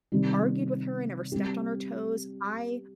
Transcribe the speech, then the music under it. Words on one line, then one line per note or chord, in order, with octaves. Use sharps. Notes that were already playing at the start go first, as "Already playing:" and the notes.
argued with her. I never stepped on her toes. I
C3 D#3 G3
G3 C4 G4